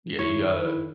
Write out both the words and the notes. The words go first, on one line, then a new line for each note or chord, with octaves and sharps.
Yeah. You gotta
F2 D#3 E4 C#5